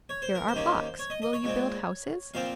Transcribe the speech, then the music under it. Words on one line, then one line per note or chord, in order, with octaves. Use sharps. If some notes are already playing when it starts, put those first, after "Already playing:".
"Here are blocks; will you build houses?"
C#5
C5
A#4
C5
D#2 D#3 A#3 C#4
C#5
D#5
D#5
C#5
A#2 G#3 C4
A#2 F3 C4 F5